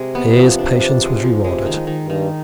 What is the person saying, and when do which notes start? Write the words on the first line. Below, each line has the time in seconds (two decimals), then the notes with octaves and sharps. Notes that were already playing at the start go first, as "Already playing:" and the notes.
His patience was rewarded.
Already playing: C3 G#3
0.15 B3
0.37 F3
0.59 D4
0.80 D4
1.02 G#3
1.23 F3
1.44 C3 G#3
1.66 D#3
1.87 D#3
2.02 G2
2.10 D#3